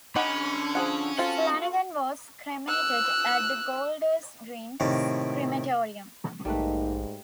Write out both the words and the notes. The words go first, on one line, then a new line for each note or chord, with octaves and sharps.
Flanagan was cremated at the Golders Green Crematorium.
D3 C#4 D#4 G4 F#5 B5
F3 G#4 F#5
C4 F4 F#4 A4
E6 F#6
A2 C3 D#3 A#3
A#1 G#2 G3 A3 A#3 D#4 B4